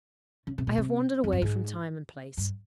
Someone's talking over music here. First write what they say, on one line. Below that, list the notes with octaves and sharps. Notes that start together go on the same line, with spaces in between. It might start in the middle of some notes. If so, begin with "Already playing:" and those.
I have wandered away from time and place.
C#3
C3
A#2
C3
F2
G2
G#2
G2